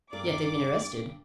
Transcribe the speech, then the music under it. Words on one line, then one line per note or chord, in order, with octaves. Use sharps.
"Yet they've been arrested?"
G2 A#4 D5 D6